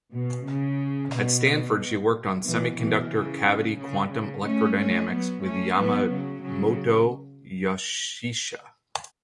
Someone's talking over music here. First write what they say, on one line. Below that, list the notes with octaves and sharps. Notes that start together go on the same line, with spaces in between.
At Stanford she worked on semiconductor cavity quantum electrodynamics with Yamamoto Yoshihisa.
B2
C#3
B2
B2 E3
B2 E3
C#3
C#3
C#3
A3 C#4
A3 C#4
F#3 B3
A3 C#4
F#3 B3
C#3 F#3
C#3 F#3